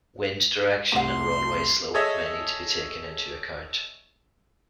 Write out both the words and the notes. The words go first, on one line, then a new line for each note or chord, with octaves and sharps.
Wind direction and runway slope may need to be taken into account.
C2 A3 G4 F#5 C6
G#4 A4 C#5 D#5 E5